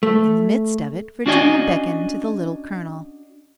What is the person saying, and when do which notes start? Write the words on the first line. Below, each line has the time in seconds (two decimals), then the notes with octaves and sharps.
In the midst of it Virginia beckoned to the Little Colonel.
0.03 A3
1.26 C#4 D4 F#4 D5 D#5 G#5